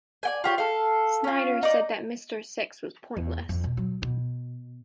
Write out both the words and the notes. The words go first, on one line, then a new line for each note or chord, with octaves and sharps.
Snyder said that Mr. Six was pointless.
D5 G5 G#5
F4 G4 C#5
A4 F5
C#4 F4
D#4 D5
E2
F2
B2
F#3
B2